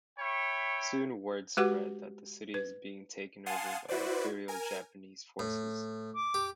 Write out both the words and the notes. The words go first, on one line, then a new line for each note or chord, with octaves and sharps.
Soon, words spread that the city is being taken over by Imperial Japanese forces.
C#5 E5 G5 B5 C#6
G#3 F#4 G4 B4 F#5 D6
B4
F5 F#5 G#5 A5 C6 D#6
E4 F#4 B4 C5 D5
A#4 G#5
A2
D6
G4